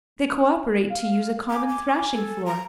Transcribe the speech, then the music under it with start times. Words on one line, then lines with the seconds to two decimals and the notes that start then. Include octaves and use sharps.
They co-operate to use a common thrashing floor.
0.90 F5
1.50 G#5 D6
1.69 D6
2.14 A4
2.46 A#5